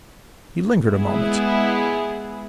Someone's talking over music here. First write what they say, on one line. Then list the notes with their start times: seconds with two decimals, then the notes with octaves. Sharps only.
He lingered a moment.
0.89 G#3 B3 E4 G#4